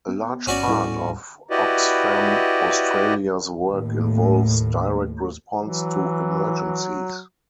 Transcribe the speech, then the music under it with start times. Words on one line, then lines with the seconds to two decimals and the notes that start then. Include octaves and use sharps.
A large part of Oxfam Australia's work involves direct response to emergencies.
0.08 B3
0.47 G1 C#4 F#4 D5
0.67 D#1 A2 G3 B3 E4 A4
1.50 E4 F#4 G4 B4 D5 D#5
3.67 D#2 A2
5.61 E3 F#3